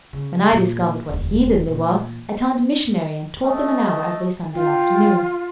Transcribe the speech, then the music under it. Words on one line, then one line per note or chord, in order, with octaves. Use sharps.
When I discovered what heathen they were, I turned missionary and taught them an hour every Sunday afternoon.
C#3
A#2 A#3
E1 D2
A#2 E3
A3 A4 D#5
F4 G5